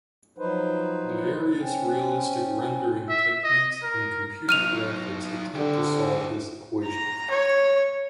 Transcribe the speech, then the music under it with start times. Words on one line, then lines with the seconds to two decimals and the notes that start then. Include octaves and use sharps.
The various realistic rendering techniques in computer graphics attempt to solve this equation.
0.38 F3 F#3 D#4 B4 C5
1.58 C4 C#4
3.09 E5
3.44 D#5
3.83 A#4
4.49 F#3 D#4 F6 D#7 F7
5.55 D3 E4 G4
6.84 A#5
7.30 C#5